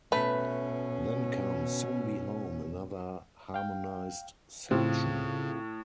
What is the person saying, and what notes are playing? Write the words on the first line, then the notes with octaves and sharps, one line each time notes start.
Then comes "Soon Be Home", another harmonised section.
B2 A3 C#4 B4
F5 G5
A2 C#3 C4 F4 F5